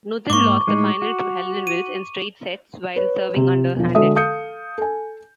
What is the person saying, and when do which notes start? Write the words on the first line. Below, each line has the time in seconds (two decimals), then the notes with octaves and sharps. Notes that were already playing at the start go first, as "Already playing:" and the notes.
Nuthall lost the final to Helen Wills in straight sets while serving under-handed.
0.30 G#2 A#3 C#6 D6
0.67 A2 G#3 D#4
1.02 F#4
1.67 D#7
2.96 B4 C#5
3.36 C3
3.76 E1 F3
3.95 D3 G#3 F#4 A4 E5 D#6
4.15 A4 F5 D#6 G6 C#7
4.78 A4 G#5